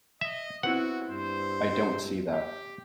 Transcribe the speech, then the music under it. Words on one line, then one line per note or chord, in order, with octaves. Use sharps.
I don't see that.
D#5 E5
B3 C4 E4 F#4 F#5
G2 C5
G4